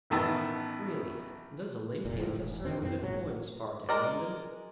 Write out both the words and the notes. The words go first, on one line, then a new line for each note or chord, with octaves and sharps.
Really, those Olympians have certain good points, far down in them.
A1 B2 D#3 B3 A5 E6
F1 A#2
G1 A2 F3
E1
D3 D#3 C4
F#2 B2 C4
A#1 G#2 F#3
G#3 A#4 D5